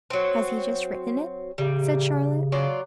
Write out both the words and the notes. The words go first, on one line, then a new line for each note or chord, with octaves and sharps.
'Has he just written it?' said Charlotte.
F#3 C4
C#3 G3
F#3 F4 D5